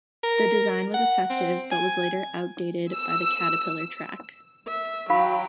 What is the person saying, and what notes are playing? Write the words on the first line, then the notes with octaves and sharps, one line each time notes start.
The design was effective but was later outdated by the caterpillar track.
A#4
F#5
C4
G#5
E6
E5
F#3 F5 G5 B5